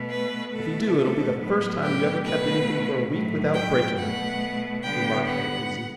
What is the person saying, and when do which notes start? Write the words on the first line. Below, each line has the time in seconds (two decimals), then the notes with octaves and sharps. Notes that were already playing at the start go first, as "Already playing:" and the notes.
"If you do, it'll be the first time you ever kept anything for a week without breaking it," remarked Aunt Izzie.
Already playing: B2 A3
0.09 B4
0.52 B2 A3 A4
1.38 A2 F#3 B3
1.82 G4
2.24 B2 A3 B4
3.10 A2 F#3 A3
3.53 G5
3.97 B2 A3 F#5
4.82 D3 G3 B3 G5
5.25 F#5